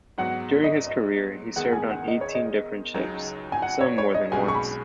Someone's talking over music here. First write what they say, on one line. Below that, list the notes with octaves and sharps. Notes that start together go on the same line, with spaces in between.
During his career, he served on eighteen different ships, some more than once.
G#2 F#3 B3 F#4 F#5
D#5
D#5
G#2 D#3 B3 D#4 G#4 F#5
G#5
F#5
D#5
C#5
D#5
C#2 C#3 F#3 D#4
G#5
F#5
C#5
C#5
D#5
B1 B2 G#3 C#4 F#4 G#5
C#6
B5